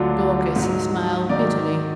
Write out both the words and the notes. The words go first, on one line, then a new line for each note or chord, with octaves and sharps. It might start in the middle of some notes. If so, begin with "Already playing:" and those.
Dorcas smiled bitterly.
Already playing: D2 D3 F#3 F4
G#2 F#3
G#2 D#3 F#3 D5